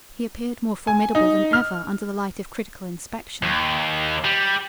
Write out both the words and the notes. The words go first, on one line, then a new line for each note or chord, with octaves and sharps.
He appeared more formidable than ever under the light of critical inspection.
G#5
D#4
F6
D#2
G3